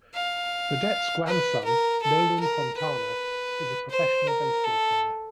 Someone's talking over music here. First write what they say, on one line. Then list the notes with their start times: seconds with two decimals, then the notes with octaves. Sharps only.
Burdette's grandson, Nolan Fontana, is a professional baseball player.
0.15 F5
1.27 B4
1.64 A#4
2.02 A4
2.40 A#4
2.78 B4
3.90 C5
4.27 A#4
4.64 A4